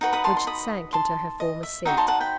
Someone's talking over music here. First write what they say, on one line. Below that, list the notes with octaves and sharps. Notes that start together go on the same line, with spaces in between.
Bridget sank into her former seat.
D#4 F#4 B4
B5 D#6
A5 C6
C6
B5 D#6
A5 C6
D#5
E5
D#4 F#4 C5 E5 G5
A5 C6
F#5 A5
G5 B5